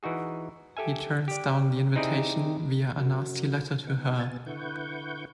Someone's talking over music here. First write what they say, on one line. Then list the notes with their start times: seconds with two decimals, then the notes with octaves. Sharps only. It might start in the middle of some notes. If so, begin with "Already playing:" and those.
He turns down the invitation via a nasty letter to her.
0.03 E3 D#4 F#4 G#4
0.77 G4 A4 E5 G#5
1.28 G4 D5
1.96 C4 D#4 E4 G4 G#4 D5
2.99 F#2
3.87 B3 D#4 F#5
4.19 B2 B3 G#5 A6
4.46 D3 E4 B4 F#5 C#6 G6